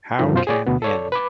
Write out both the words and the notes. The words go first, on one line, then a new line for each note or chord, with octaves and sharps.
How can end?
G2 D3 D#3 F3 D#4
F#2 B2 F4 C5
G#4 C#5 D5
D2 B2 B3
A4 C#5 D5
B4 B5 D6